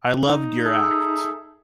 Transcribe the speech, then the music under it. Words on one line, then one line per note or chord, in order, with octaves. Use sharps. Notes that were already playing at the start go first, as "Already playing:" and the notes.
I loved your act.
D#4
G#4 A4 E5